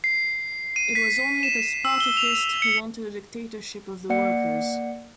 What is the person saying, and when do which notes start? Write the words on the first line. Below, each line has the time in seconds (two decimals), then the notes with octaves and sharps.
It was only the Spartacists who wanted a dictatorship of the workers.
0.04 C7
0.76 D#7
0.95 B6
1.43 E7
1.85 E6
2.00 G7
2.17 F7
2.62 C#7
4.10 A#3 D5 F#5 C#7